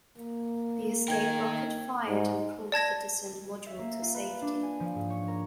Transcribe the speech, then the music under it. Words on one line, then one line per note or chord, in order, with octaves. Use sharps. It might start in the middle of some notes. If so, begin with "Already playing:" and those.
The escape rocket fired and pulled the descent module to safety.
A#3
D#4 A#4 G5 G#6
G#2
D5 A5 G#6 A#6
E5
A#3
F4
B4
D4
G#5
F3
G#2
C#5
A#4